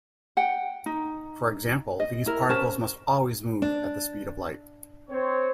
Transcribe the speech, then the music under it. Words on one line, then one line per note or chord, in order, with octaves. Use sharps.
For example, these particles must always move at the speed of light.
F#5 G5
D#4
D#5
E4 A#4
C#4 A#4 C5 A5
D4
C4 C5 C#5